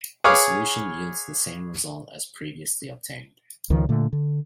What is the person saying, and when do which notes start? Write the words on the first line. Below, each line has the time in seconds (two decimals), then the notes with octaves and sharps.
The solution yields the same results as previously obtained.
0.24 G#4 B4 C#5 F5 G#5 D6
3.70 C#2 D#3 F3
3.89 A#2 D3 A3
4.13 D3